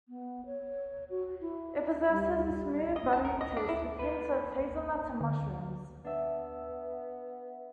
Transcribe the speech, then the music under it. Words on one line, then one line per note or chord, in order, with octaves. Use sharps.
It possesses a smooth buttery taste, with hints of hazelnuts and mushrooms.
B3
C#5
F#4
E4
G3
D#5
A5
A#4
D#5
D4
E4
A#3 B4
D3
B3 D4 E5